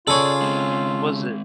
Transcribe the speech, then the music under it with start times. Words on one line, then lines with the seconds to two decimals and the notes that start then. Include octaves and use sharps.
Was it
0.07 C#3 F4 G#4 A4 C#5 D5
0.41 G#3 C4